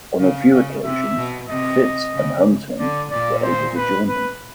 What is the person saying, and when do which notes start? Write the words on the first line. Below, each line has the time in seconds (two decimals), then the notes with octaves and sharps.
On a few occasions, Fitz and Hunting were able to join them.
0.19 C#3 F5
0.52 C#3
0.84 C3 E5
1.17 B2
1.49 C3 D#5
2.14 C#3
2.79 D3 D5
3.11 A#2 D5
3.44 C5
3.76 B4
4.09 B4